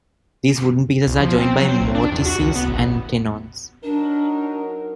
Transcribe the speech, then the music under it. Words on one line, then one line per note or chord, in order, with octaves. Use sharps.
These wooden pieces are joined by mortices and tenons.
C2
F3
C4
F#3
C4
B1
D4
E2
F#4
C#2
B3
A1
F#3 D4 D#4 A#4